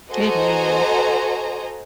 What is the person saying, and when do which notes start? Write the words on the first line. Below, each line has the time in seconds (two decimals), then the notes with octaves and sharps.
It is.
0.10 F#4 A4 C5 D#5 G#5 A#5